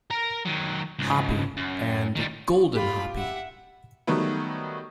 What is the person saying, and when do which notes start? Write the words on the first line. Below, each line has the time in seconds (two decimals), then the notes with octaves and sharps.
"Hapi" and "Golden Hapi".
0.11 A#4 A#5
0.45 D#3 F#3
0.99 C#2 G#2
1.57 F#2
2.16 D#3 G3
2.75 F4 G4 B5
3.16 E5 F#5
4.07 D#3 F#3 G3 A3 B3